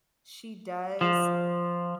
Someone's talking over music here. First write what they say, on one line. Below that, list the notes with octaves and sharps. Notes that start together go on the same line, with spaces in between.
she does,
F3